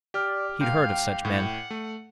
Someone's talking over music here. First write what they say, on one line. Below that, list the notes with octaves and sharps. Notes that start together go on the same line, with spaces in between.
He'd heard of such men.
G4 D5 D6 F6
G#2 F5 G5
A2 F#5
A3